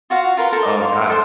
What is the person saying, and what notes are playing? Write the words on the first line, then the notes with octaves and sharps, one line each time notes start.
Oh, god.
F4 F#4 F5 F#5
F4 A#4 B4 C6
A4 A#4 C5 A#5
F5 C6
A4 C5